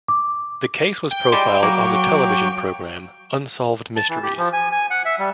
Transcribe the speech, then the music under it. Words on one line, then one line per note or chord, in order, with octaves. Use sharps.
The case was profiled on the television program "Unsolved Mysteries".
D6
G5
G3 G#3
F#3 A#3 C#5 D6
A5
E3
G4
F3
G#5
G#5
F#5
E5
G3